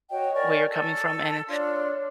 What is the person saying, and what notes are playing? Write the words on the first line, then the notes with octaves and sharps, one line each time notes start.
where you're coming from, and, eh,
F#4 C#5 D#5 G5
A#4 D5 G#5 C#6
A4
D4 F4 C#5 C6